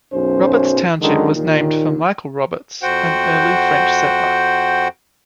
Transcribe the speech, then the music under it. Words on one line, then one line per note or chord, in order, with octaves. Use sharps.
Roberts Township was named for Michel Roberts, an early French settler.
B1 F#2 C#4 C5
F#2 D3 D#3 G#3
D#2 A#2 D#3
F2 F#4 C5 F#5 G5